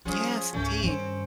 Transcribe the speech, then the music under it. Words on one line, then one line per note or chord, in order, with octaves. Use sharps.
Yes, indeed.
F3 G3 C#4 G#4
C#2 G#2 A3 C#4
G2 D#3 C4 C#4